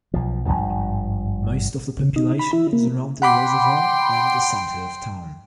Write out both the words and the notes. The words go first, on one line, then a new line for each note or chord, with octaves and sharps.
Most of the population is around the reservoir and the center of town.
B1 F3
G#1 E2 G2 F3
C#3
D#4
B5
E4
A#3
F#5 G5 B5 C6 D6